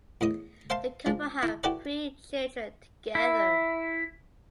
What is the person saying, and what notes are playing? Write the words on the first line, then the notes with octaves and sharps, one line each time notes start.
The couple have three children together.
E2 A2 D#5 D#6
C5 E5 F5 A5 C6
F3 G#3
E4
E4 F#4 G4 A4 B4 D5
E4